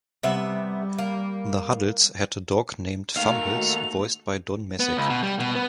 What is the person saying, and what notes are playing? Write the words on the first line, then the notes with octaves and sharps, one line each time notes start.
The Huddles had a dog named Fumbles, voiced by Don Messick.
C3 G3 B3 E5
A#3
D#2 D#3 A3 F#4 A4 F5 F7
B3
C#2
B2
G3
B2
B3